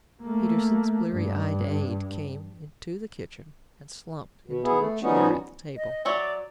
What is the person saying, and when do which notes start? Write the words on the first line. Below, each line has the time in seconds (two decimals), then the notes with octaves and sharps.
Peterson's bleary-eyed aide came into the kitchen and slumped into a chair at the table.
0.22 A3 A#3
1.12 G2
4.48 B2
4.64 B3 E4 G#4
4.80 A3
5.03 F3 G3 B3 C#4 D#4 F#4
5.76 D#5
6.05 F#3 C#5 D5 E5